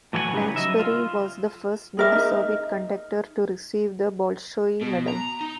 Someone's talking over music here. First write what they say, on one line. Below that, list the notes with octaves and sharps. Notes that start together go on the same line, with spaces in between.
Lanchbery was the first non-Soviet conductor to receive the Bolshoi Medal.
A2 E3 F#3 E4 F#5 G#5
C#3 G3 D#4 B4
F#3 D#5 E5
F4
G#4 A#4 E5
D4 D#4
B2
A#5
D#4